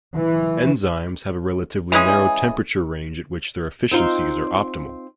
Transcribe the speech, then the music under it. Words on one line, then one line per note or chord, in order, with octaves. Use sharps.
Enzymes have a relatively narrow temperature range at which their efficiencies are optimal.
E3
E3 G#3 C#4 G#4
C4 D#4 F4